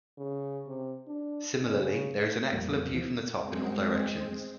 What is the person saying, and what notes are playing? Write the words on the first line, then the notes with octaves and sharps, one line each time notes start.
Similarly, there is an excellent view from the top in all directions.
C#3
C3
D4
C#3
F2 A#2 G3 A#3
D#2 E3 F3
G#3 C4